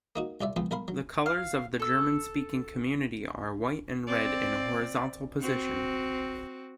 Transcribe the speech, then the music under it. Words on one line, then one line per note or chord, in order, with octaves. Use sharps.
The colours of the German-speaking Community are white and red in a horizontal position.
A#3 D#4 F#4
C2 F4 D5 E5
C#2 F3 B3 C4
B1 A#4 F5 B5 C6
F#3
F5
A4 E6
C4 D5
C4 F#4